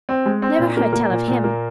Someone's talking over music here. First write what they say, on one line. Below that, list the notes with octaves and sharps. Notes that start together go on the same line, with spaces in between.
"Never heard tell of him!"
C4
G#3
C4
A#2
A#3
A#3
A#2
A#2
A#3